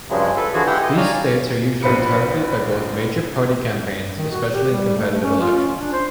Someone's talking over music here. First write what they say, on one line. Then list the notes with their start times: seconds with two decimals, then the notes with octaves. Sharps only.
These states are usually targeted by both major-party campaigns, especially in competitive elections.
0.10 G2 C#3 F3 F#3 G#3
0.37 A4 B4
0.53 D3 E3 F3 F#4 G#4
0.67 G#3 E4 G4 F#5 G5
0.82 D#5
0.97 C#5 D5 F5 G#5 A#5
1.83 A#1 B4 C5 B5 C#7
4.18 D#3
4.31 F#4
4.51 G4
4.71 G3
4.96 A3
5.11 A3
5.23 C#4
5.40 F4
5.56 C#4
5.80 D4
5.92 C5